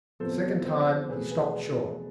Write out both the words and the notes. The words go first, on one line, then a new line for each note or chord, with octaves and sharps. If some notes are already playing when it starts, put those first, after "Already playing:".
For the second time, he stopped short.
F2 C3 F3 B3 A4 C5
A4 C5
E2 B2 A3 C4 G#4 B4
G#4 B4
G#4
A4